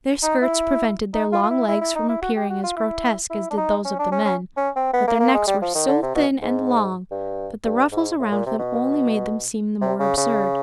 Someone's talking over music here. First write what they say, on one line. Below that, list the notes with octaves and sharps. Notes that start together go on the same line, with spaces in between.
Their skirts prevented their long legs from appearing as grotesque as did those of the men, but their necks were so thin and long that the ruffles around them only made them seem the more absurd.
D#4
E4
D#4
F4
F4
E4
E4
E4
D#4
E4
F#4
G4
F#4
F4
E4
E4
D4
D#4
C#4
D4
C#4
C#4
C#4
C4
B3
A#3
A#3
G#3
G3
F3
D#3
D3
C3
B2
G#2
G2
G2
G#2
A2
A#2
C3
B2
C3
C#3
C#3